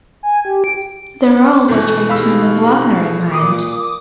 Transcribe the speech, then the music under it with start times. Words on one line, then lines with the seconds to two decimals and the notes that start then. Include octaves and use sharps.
The role was written with Wagner in mind.
0.23 G#5
0.45 G4
0.64 D7
1.68 B2 E3 A3
2.09 D#4 G4 G#4 F5 B5 E6
3.32 A#2 D6 D#6